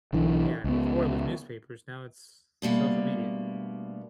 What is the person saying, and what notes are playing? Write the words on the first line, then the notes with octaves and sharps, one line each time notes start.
Yeah, before it was newspapers, now it's social media.
B1 D3 E3
C#2 B3
D2 B2 G3 A#3